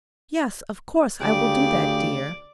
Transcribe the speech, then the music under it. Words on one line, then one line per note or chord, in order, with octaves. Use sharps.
'Yes, of course; I will do that, dear.
D2 C#3 G4 D5